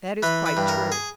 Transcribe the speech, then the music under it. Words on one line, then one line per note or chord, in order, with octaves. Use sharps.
That is quite true.
E3 B4
B4
G2
A#4
G#4